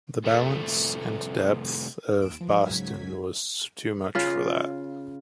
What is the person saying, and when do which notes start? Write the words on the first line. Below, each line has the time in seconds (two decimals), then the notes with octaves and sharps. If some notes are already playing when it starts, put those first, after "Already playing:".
The balance and depth of Boston was too much for that.
0.24 C2 A3
2.20 D#2 D7 E7
2.40 E3 F3
2.66 C#2 G#2 C#3 F#3 G#6 B6
4.15 C#3 F4